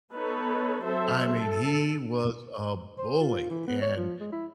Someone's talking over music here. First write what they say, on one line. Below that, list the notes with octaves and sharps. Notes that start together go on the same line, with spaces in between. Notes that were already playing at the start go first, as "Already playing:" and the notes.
I mean, he was a bully. And,
B3 D#4 A4 B4 C#5
F#3 C4 A4 C5 E5
A4
C5
F4
E3
B3
C#5
F3
G#3
E4